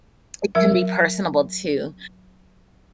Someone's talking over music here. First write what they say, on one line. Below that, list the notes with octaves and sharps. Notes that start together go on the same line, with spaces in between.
It can be personable too.
F#3 A#4 E5